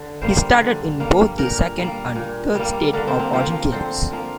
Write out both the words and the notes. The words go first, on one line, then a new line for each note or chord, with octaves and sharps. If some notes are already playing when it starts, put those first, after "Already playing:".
He started in both the second and third State of Origin games.
Already playing: D3
G3 A#3 C5
D3
G3 A#3
A#2 A#4
G3 A#3
A#2
G3 A#3
D3 A#3
C4
A#3
F3 A#3 C4
A#3
D3 C4
F3 A#3